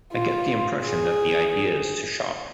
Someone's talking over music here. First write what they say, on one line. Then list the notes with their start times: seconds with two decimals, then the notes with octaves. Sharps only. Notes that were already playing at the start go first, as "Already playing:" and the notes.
I get the impression that the idea is to shock.
0.13 F4
0.84 G#4